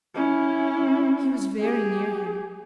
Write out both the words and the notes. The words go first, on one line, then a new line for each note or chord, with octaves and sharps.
He was very near him.
C#4 E4
G4 G#4